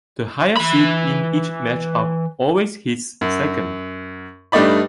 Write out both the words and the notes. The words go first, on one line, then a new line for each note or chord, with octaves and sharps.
The higher seed in each matchup always hits second.
E3 B5
F#2
G2 G3 A3 D#4 D5 B5